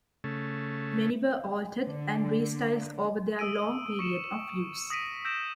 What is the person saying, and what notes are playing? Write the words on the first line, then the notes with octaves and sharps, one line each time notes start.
Many were altered and restyles over their long period of use.
C#3 A3
D3
D#6 E6 D7 D#7
C#6 C#7 E7
D#6 A#6 B6 D7 D#7
E6 G6 A#6 D7 E7